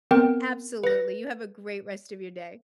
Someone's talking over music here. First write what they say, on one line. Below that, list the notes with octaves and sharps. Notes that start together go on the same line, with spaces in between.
Absolutely, you have a great rest of your day.
B3 C4 A#4 G5
B4 A#6